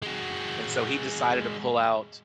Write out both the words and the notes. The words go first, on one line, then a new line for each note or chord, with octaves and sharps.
and so, he decided to pull out
G#3 F#4